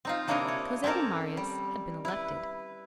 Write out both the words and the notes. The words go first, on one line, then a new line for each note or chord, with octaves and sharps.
Cosette and Marius had been elected.
C4 D#4 F4
C3 A#3 D4 E4 C#5 D#5
C#5
C4 C#4 A4 A#4 D5
G3
E4 B4